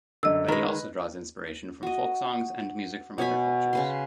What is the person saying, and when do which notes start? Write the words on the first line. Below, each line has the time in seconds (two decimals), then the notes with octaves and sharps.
But he also draws inspiration from folk songs and music from other cultures.
0.23 F#2 D3 D#5 E6
0.48 D#3 G#3 B4 A#5
1.83 F#4 D#5
3.18 B2 C#5 G#5 B5
3.73 C#3 B4 C6